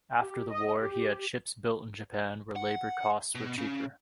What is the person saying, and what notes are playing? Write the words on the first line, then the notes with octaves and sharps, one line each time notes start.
After the war, he had ships built in Japan, where labor costs were cheaper.
G4
D#5
G4
F#5
B2
C#3